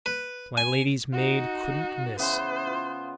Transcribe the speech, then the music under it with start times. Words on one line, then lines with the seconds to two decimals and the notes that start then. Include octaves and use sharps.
My lady's maid couldn't miss.
0.06 B4
0.57 G#5
1.13 D#4 F#4
2.19 C#3 E3 B3 C5
2.67 F4